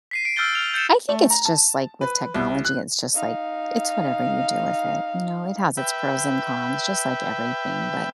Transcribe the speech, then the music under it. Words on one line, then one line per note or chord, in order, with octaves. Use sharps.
I think it's just, like, with technology, it's just, like, it's whatever you do with it, you know, it has its pros and cons just like everything, but,
B6 C7 D#7
D7
E6 F6 G6 A6 G7
F6 F7 G7
G6 A6 C#7 E7
A3
A#5
A5
B4
C2
F#6
D#4 F5
B4 E5 G5